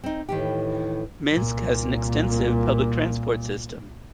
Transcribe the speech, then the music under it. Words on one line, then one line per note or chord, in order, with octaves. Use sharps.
Minsk has an extensive public transport system.
C4 D#4
A2 D#3 E3 G4
C2 A#2